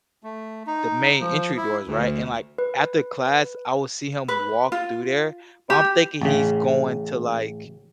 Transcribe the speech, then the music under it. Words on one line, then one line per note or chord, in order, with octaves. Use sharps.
the main entry doors, right? And, like, after class, I would see him walk through there, but I'm thinking he's going to, like,
A3
D#4
F3
E4
D2
B4
B4
F4
G4
A1 C#3